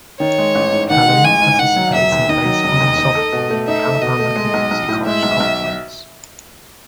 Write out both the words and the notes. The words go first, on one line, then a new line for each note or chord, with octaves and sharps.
Calhoun participates in baseball and softball in the Alabama Community College Conference.
D#3 C#5
G#3
A1
G#2
D#3 F#5
G#3
A1 G#5
G#2
D#3 F#5
F#3
E1 E5
D#2
D#3 D#5
F#3
E1
D#2
D#4
A4
B2
A3
D#4 E5
A4
B2 D#5
A3
G#3
B1
B1
A2
G#3 E5
B1
B1